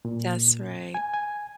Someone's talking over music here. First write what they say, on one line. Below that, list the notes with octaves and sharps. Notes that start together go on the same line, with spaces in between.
That's right.
A#2
G#5
G#5